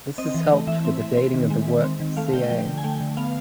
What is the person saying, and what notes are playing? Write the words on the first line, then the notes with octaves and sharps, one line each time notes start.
This has helped with the dating of the work to ca.
C4 D#5
E3
A3
E3 E5
C4
E3
C4
D#3
G#3
D#3
C4
D#3
A3 F5
D3 G5
F3 G5
D3
G#5
A3 G5
D3
B3 F5